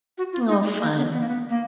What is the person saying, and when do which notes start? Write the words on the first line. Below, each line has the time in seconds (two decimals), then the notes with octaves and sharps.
Oh, fun.
0.18 F#4
0.33 F4
0.49 D#4
0.65 G#3
0.75 G#3
0.81 A#3
0.97 B3
1.12 B3
1.21 A#3
1.28 B3
1.49 A#3